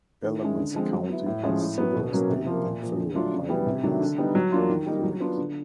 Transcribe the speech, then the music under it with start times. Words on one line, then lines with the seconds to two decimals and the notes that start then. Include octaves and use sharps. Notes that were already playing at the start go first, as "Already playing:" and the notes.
Alamance County has several state and federal highways running through it.
0.23 D#3
0.40 G#3 C#4 E4
0.57 D3
0.75 F3 G#3 C4
0.92 F#3
1.09 B3 E4
1.26 A2
1.43 F3 G#3 C#4
1.61 A2
1.78 F#3 B3
1.95 B2
2.12 F#3 A#3 C#4
2.29 C3
2.46 F3 A#3
2.64 A#2
2.81 F3 A#3
2.98 D3
3.15 F#3 A3 D4 F4
3.32 C#3
3.49 E3 G3 B3
3.66 C3
3.84 D#3 F#3 A3 D4
4.01 D3
4.18 G3 B3 D#4
4.35 F#3
4.52 A#3 D4 F4
4.69 D#3
4.86 G3 A#3 D#4
5.04 F#3
5.20 B3 D4 F4
5.38 D3